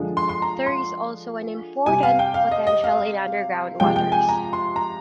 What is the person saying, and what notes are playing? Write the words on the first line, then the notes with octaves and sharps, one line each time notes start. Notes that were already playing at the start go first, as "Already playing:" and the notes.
There is also an important potential in underground waters.
Already playing: D3 F3 G#3
C6
C6
A#5
C6
C3 G3 G#5
F5
G5
F5
D#5
D#5
F5
C3 F3 G#3 G5
G5
G#5
A#5
C6
A#5